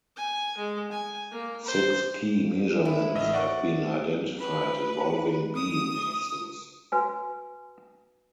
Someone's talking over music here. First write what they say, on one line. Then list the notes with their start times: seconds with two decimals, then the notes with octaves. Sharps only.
Six key measurements have been identified involving B mesons.
0.16 G#5
0.58 G#3
0.91 G#5
1.31 A#3
1.65 C5
2.85 E4
3.15 A1 D#5 E5
3.33 D5 F#5 C#6
4.39 B4
5.55 D#6
6.92 F#4 B4 G#5